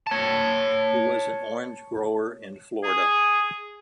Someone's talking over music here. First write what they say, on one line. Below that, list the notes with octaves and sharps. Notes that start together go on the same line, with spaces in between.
He was an orange grower in Florida.
C#5 A5
G#4